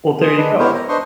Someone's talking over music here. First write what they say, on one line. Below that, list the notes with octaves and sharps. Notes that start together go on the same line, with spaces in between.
Well, there you go.
G#4 C6 D#6
G#3 D4 B4
B3 E4 G4 A#4 C5 C#5
A#5
D4 B4 C5 D#5 C6 C#6